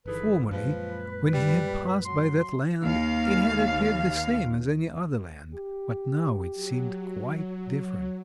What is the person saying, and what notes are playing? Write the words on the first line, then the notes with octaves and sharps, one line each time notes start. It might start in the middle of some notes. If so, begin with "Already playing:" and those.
Formerly, when he had passed by that land, it had appeared the same as any other land, but now it seemed quite different.
G1 D#3 E3 G#4 A4 B4
F#2 A#2 F3 G#3 B4
G3
F#3 C6
D#2 F5
G4
F#3